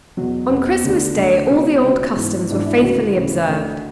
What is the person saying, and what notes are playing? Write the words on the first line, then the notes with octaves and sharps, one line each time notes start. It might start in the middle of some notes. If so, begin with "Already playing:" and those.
On Christmas day all the old customs were faithfully observed.
E2 B2 F#3
E2 B2 B3
D2 D3
D2 D3
C#2 B2 C#4
C#2 B2
G#2 E3
G#2 E3 D4
E4
D2 C#3 E3 F#4
D2 C#3 E3
D2 D3